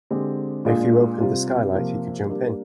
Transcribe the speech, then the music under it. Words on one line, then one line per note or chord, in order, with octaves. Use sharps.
If you opened the skylight, he could jump in.
D3 G#3 C4 G4
A#2 G#3 D4 F4
C3 G3 C4 F4
C3 F3 A#3
G3 A#3 D4 G4